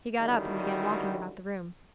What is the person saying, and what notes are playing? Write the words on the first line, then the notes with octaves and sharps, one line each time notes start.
He got up and began walking about the room.
D3 D#3 G3 C#4 E4 F#4